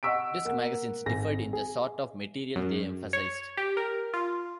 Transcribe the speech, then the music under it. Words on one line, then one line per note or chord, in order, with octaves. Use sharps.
Disk magazines differed in the sorts of material they emphasised.
D#5 F#5 C#6 E6 B6 D7
A#3 F#5
G#1 G#4 A#6
G#4
F#2
C#5
G4
A#4
F4